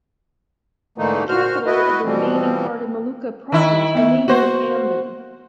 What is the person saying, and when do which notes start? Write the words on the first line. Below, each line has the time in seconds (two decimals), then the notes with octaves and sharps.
The capital of the remaining part of Maluku province remains at Ambon.
0.98 G#2 D3 E3 A3 A#3 D#4
1.29 A#2 F#4 C5 F6
1.66 B3 E4 F#4 B4 D#5
2.04 B2 E3 F3 G3 C4
3.52 D#3 E4
3.95 B3 E5
4.28 A#3 F#4 B4 C5